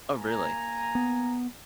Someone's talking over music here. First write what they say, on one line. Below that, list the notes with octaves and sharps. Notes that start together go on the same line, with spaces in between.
Oh, really?
A#3 G#5 A#5
B3